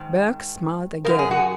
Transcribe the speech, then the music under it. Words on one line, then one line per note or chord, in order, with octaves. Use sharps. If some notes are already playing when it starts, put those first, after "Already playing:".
Berg smiled again.
Already playing: G#2 D#3
F#2 C#3 A#4
G#4
F#4